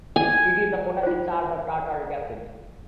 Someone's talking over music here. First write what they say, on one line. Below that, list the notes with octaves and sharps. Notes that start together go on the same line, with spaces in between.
It is the potassium salt of tartaric acid.
G#5
F4 C5